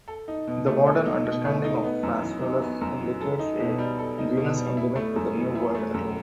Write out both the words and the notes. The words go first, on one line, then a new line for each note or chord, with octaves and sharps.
The modern understanding of "Phaseolus" indicates a genus endemic to the New World alone.
A4
D#4
B2
A3
A4
D#4
B2
A3
D#4
B3
F#2
E3
D#4
B3
F#2
E3
A4
D#4
B2
G3
A4
D#4
B2
G3
E4
A3
F#2
E3
E4
A3
F#2